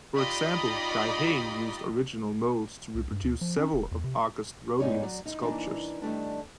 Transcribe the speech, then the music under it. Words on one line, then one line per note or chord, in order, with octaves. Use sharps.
For example, Guy Hain used original molds to reproduce several of Auguste Rodin's sculptures.
D#4 F4 G4 D5 D#5 B5
C2
G2
D2
F3
C#4
E1
E2
C3
E2 G#2 D#4 C#5 D5
F#3 D5
D#4 E4
E3 A#3 D4 D#4
D#3 G3 A3 D4